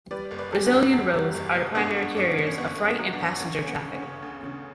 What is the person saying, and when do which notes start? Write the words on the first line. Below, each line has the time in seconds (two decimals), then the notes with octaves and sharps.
Brazilian roads are the primary carriers of freight and passenger traffic.
0.11 G3 B4 D5
0.31 F#1
0.39 B4 D5
0.52 E2 G4
0.65 D4 F#4
0.73 F#1
0.93 E2
1.14 G3
1.34 F#1
1.55 B2
1.75 G1 B3 D4
1.97 G2
2.16 G1 C#4
2.38 G1
2.47 C#4
2.58 G1 B3
2.79 G1
2.85 C#4
2.99 F#3
3.13 B3 D4
3.20 G1
3.35 D4
3.40 D2 C#4
3.61 D2 C#4
3.68 B3
3.82 C#3
3.95 C#4
4.02 C#3
4.22 D2
4.44 C#3